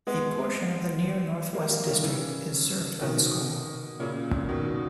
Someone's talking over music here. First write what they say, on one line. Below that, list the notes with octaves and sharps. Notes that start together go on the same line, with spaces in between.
A portion of the Near Northwest district is served by the school.
G#3 B3
G3 A#3
G3 A#3
D#3 G3
C#3 E3
B2 D#3
A#2 C#3
B2 D#3